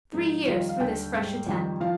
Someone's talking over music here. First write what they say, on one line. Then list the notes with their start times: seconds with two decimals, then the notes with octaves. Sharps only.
Three years for this fresh attempt.
0.14 G#2 F3 D#4
0.47 F2 D#3 G3 F4
0.58 D#5
0.69 F5
0.80 D#2 D3 G3 G5
1.14 G#2 G3
1.47 F2 D#3 G3
1.80 F3 F5